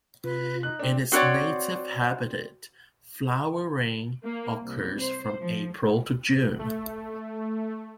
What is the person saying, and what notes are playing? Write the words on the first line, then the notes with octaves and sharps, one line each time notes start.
In its native habitat, flowering occurs from April to June.
C3 F4 B4
D#4 F#6
C4 D4
C4 F#4 G4 C#5 D5
A#3
C2
C5
F3
A3